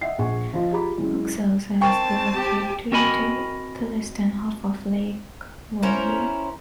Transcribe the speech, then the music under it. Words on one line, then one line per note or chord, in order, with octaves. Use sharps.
Cook serves as the gateway to the western half of Lake Vermilion.
D#5 E5 F#5 G5 C7
A#1 G#4 F#5 G#5 C#6
F3 F4 D#5
F4 G4 G#4 A#5 B5 D6
F#3 G#3 C#4 E4
C4 A#4 G5 A5 C#6
G4
C4 F#4 A#4 D#5 G#5 B5
C#4 E4 A#4 C5